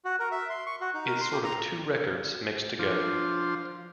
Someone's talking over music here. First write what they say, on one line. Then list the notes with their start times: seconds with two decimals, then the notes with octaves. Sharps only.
It's sort of two records mixed together.
0.05 F#4
0.19 A#4
0.32 E5
0.50 C6
0.66 C#6
0.81 F#4
0.94 D#4
1.06 A#4
1.21 C6
1.33 G4
1.44 A#5
2.79 F3 D4 F4 C5